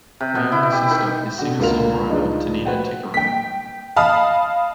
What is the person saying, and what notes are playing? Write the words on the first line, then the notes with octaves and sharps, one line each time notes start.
His younger sister is singer-songwriter Tanita Tikaram.
C3
B2
E4
G4
D#3
D3 F#4
C#2 D3 A#3 F4 F7
C#2 F3 G#3 D4 D#4
F#4 B4 C5 F#5 G5
G5 B6
D#5 F5 A5 B5 D#6 F6